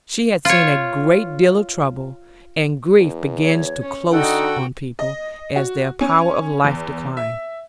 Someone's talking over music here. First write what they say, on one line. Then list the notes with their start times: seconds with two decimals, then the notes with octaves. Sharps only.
She had seen a great deal of trouble; and grief begins to close on people, as their power of life declines.
0.45 F4 C#5
3.00 E2
3.41 C#5
3.82 C#4
4.12 D3 D#4 F#4 A4 F#5 G5
4.99 D#5
5.56 F#4
6.01 C#4
6.64 E2
7.17 E5